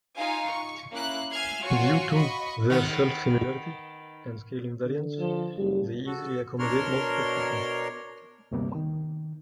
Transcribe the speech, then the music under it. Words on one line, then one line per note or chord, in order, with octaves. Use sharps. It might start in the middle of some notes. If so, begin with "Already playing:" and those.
Due to their self-similarity and scale invariance, they easily accommodate multiple frequencies.
D#4 F4 F5 G#5
C#6
A#3 C#4 E4 F#6
E5 G#5 F6 G#6 C7
F4 F#4 C#5 G#5 C#6
D#5 B5 C#6
D#3 B3
D3
F3
F#1 G3
F#4 A4
B2 D4 A#4 C#5 C6 F6
D2 G2 C3 G3 A#3 B3
D#3